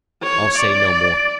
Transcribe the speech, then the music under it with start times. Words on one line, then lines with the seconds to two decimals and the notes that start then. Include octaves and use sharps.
I'll say no more.
0.23 C#5
0.58 D5